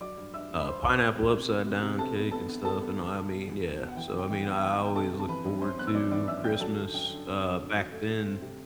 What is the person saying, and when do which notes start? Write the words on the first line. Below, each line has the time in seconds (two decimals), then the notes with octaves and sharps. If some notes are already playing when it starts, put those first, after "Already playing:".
uh, pineapple upside-down cake, and stuff, and I I mean, yeah. So, I mean, I I always look forward to Christmas, uh, back then.
0.01 F#3 D5 D6
0.17 G2
0.33 G2 E5 E6
0.50 G2
0.60 B5
0.67 G2 C5 C6
0.83 B3
1.00 B3
1.16 F#3
1.33 C3
1.49 B3
1.66 C3
1.82 C3
1.99 C3 A4 A5
2.15 B3
2.31 B3 A4 A5
2.48 B3
2.65 G3 A4 A5
2.81 B3
2.98 B3
3.14 B2
3.30 B2
3.47 E2
3.64 E2
3.80 B2
3.88 F#5
3.96 E3 G5
4.13 C3
4.18 G5
4.30 E3 G5
4.41 F#5
4.46 B3
4.54 F#5
4.63 E3 G5
4.79 B3
4.84 G5
4.96 C3 A4 A5
5.12 C3
5.20 A5
5.28 E3 B4 B5
5.45 F#2
5.61 F#2 C5 C6
5.78 B3 F#6
5.87 E6
5.95 F#2 D5 D6
6.11 E3 D5 D6
6.27 F#2 E5 E6
6.44 F#2 G5 G6
6.60 F#3 A4 A5
6.77 D3
6.94 F#2 G5
7.10 D3
7.26 C4
7.43 F#3
7.59 D3
7.76 F#3
7.92 A3
8.09 A3
8.26 C4
8.42 C3